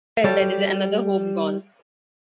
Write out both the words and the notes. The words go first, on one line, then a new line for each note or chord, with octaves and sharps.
Well, that is another hope gone.
G3 A4 C#5